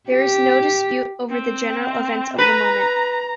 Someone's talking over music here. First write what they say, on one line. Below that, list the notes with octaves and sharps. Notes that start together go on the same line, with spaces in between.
There is no dispute over the general events of the moment.
G4
C4
B4 A#5